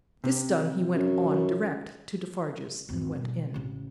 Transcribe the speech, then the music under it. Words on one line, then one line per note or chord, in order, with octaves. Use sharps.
This done, he went on direct to Defarge's, and went in.
C3
F#2
G#1 E2
B2 G3
A1 C#3